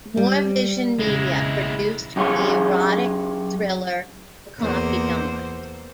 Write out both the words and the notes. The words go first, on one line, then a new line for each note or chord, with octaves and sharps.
Moore Vision Media produced the erotic thriller "The Confidant".
G3
A#1 A#2 C#3 G#3 E4
F#2 G4 G#4 C#5 F5 C6
E2 A#3 C5